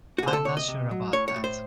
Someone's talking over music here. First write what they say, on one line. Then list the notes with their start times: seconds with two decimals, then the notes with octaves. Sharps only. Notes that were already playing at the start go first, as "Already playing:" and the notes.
I'm not sure about that.
0.18 F#4
0.22 C3 G#4
0.28 C5
0.33 A4
0.45 C3 C#5
0.57 D#5
0.68 C3
0.91 F#3
1.13 A2 C#5
1.28 C#5
1.36 A2
1.44 C5